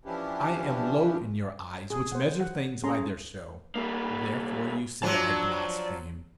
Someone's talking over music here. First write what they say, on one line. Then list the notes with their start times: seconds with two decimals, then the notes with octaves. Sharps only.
I am low in your eyes which measure things by their show; therefore you say I blaspheme.
0.05 E3 F3 C#4 D4 E4 G4
1.90 G#4
2.12 C5 F#5
2.41 F#5
2.84 C#4 G#4 A4 A#5 C6
3.75 G3 A#3
5.03 F3 F#3 D5 A5